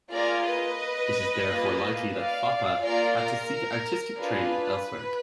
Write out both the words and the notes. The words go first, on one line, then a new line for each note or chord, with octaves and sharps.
It is therefore likely that Foppa had to seek artistic training elsewhere.
A#3 F4 G#4 A#4 D5
B4 D#5
A#3 F4 G#4
D5 F5
A#3 F4 G#4 A#4 D5
A#4
D4 F4 G#4 B4